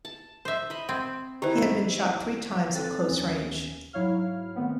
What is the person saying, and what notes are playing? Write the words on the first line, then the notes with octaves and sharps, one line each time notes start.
He had been shot three times at close range.
A5
C5 E5
D#5 B5
C4
D#3 E4 G4 C5
C4 A4 F#6 A6
D#2 C#4
G#2 F#3 E4 C#5 F5 F6
D#3 A3 B3 C4